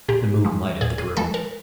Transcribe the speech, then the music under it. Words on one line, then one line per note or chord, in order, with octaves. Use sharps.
The moon lighted the group.
A#2 G4
F3 G#3
A#2 G#4
G#4
F3 G#3 A4
A#4